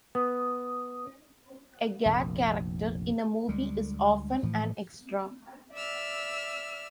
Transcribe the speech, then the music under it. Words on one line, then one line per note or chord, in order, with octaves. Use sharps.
A "gag" character in a movie is often an extra.
B3 D#6
F1 A#1
D2 G3 G#3
A2 E3 F3
D5 E5 E6 F6